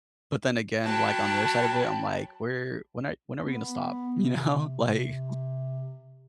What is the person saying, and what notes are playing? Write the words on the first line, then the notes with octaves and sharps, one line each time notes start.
But then again, like, on the other side of it, I'm, like, "Where when are when are we gonna stop"? You know, like,
F#3 G5 A5 B5
B3
C3